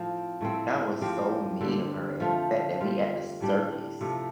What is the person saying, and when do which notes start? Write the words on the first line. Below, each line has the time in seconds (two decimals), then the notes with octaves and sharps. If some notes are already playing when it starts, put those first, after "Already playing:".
That was so mean of her, and the fact that we at the circus,
Already playing: A2 F3 C4 F4
0.41 A2 A3 C4
1.01 F3 C4 G4
1.61 D3 G3 C4
2.20 F3 A3 F4
2.81 G3 F4
3.41 A2 G3 D4
4.01 C3 F3 A3